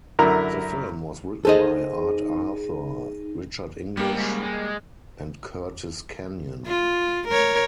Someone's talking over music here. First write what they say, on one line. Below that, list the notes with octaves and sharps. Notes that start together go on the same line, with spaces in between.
The film was written by Art Arthur, Richard English and Curtis Kenyon.
F#2 D3 E4 A#4 A#5 F6
D#4 G#4 A4 C5 D#5
G3 A#3 B3 G4
G#2 C#3
G#3
F4
A#4 C#5